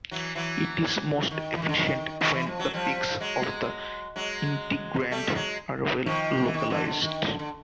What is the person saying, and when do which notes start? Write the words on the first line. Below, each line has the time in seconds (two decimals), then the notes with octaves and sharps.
It is most efficient when the peaks of the integrand are well-localized.
0.11 E3 F#3
0.35 E3 F#3
1.31 D#3
1.55 E3
1.62 D#3
1.69 D3
1.76 D#3
2.21 D#3
2.33 E3
2.47 F3
2.59 F#3
2.73 F3 G3
3.20 F#3 G#3
4.16 F#3 G#3
5.11 G3 A3
5.35 F#3 G#3
6.06 D#3 F3
6.45 E3
6.54 D#3
6.70 D3 E3
6.85 D3
7.01 D#3
7.25 D3
7.39 D3